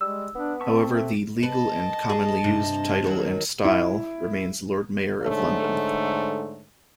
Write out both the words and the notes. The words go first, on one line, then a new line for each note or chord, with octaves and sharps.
However, the legal and commonly-used title and style remains Lord Mayor of London.
G3 G#3 E6
B3 D4
C4 E5 A5 C#6
A3 G4
B4 D#5 A5
G#4
G2 C3
D#2 D#3 F#3
E4
G#2 D3 A3 C#5